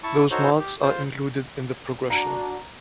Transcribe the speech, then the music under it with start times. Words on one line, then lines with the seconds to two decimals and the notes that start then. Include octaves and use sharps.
Those marks are included in the progression.
0.03 E4 A5 C#6
0.31 D#4 F#4 A4 C5 C#5
0.60 G4
0.82 F4 C5
2.10 D4 F#4 A#5